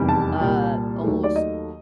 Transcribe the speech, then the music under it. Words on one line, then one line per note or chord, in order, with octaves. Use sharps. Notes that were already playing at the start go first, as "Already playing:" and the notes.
uh, almost,
Already playing: F1 E2 C3 D#3 G3
A5
C2 A#2 G3
D#2 D#3 F#3 A3
D5
D#5